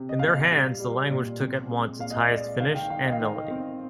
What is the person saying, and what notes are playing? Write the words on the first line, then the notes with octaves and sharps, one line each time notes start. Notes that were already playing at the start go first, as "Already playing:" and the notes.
In their hands the language took at once its highest finish and melody.
Already playing: C3
D#5
A#2 F5
G3
G3
A#2
C4
G#3
A#2 F5
D#5
D5
G#3 D#5
D#3 F5
G5
D#3 F5
D#5
F5
D#3 D#5
C4